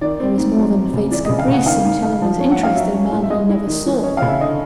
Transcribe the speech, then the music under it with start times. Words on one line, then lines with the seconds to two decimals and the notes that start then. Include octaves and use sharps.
There is more than Fate's caprice in Challoner's interest in a man he never saw.
0.01 D#3 D5
0.20 C4
0.38 G#2
0.57 F#3
0.75 C4
0.93 C#3
1.11 E3 D5
1.25 C#3 D#5
1.39 F5
1.48 C#3 F#5
1.66 D#3 F5
1.85 G#2
2.02 G#2
2.22 F3
2.40 C#4
2.51 F#5
2.57 G#2
2.63 F5
2.75 F#3 E5
2.94 C#4
3.12 A2
3.23 E5
3.30 G#3 D#5
3.49 E4
3.67 D#3
3.86 E3
4.03 C#4
4.17 C#3 F5
4.28 E5
4.40 D3 D#5